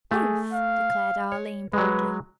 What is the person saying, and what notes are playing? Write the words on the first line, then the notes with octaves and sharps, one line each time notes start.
"Both," declared Arline boldly.
A3 G#4
F5
C#5
F#3 G#3 B4